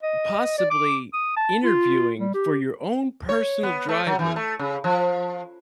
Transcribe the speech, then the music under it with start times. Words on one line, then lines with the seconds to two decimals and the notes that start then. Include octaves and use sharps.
possibly interviewing for your own personal driver.
0.03 D#5
0.58 D5
0.70 D6
1.14 D#6
1.36 A5
1.64 F4
2.20 G3
2.34 G4
3.29 C#5
3.63 B3
3.89 A3
4.07 F#3
4.19 E3
4.36 A3
4.59 C#3
4.84 F3